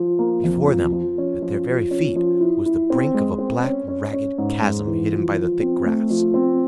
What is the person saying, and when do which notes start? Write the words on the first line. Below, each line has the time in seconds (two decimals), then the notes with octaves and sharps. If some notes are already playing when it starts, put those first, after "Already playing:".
Before them, at their very feet, was the brink of a black ragged chasm hidden by the thick grass.
Already playing: F3
0.19 A#3
0.44 F2
0.68 F3
0.92 F3
1.18 C#4
1.42 F3
1.67 F3
1.91 C#4
2.16 F3
2.40 E4
2.66 E4
2.90 C4
3.14 G#3
3.38 C4
3.64 C#4
3.88 C#4
4.13 C#4
4.38 G#2
4.62 G#3
4.87 E3
5.12 F3
5.36 F3
5.60 C4
5.85 A3
6.10 F3
6.34 C4